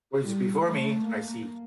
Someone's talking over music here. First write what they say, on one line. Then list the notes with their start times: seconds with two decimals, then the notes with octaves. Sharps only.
What is before me, I see.
0.23 G3
0.63 A3
1.04 A#3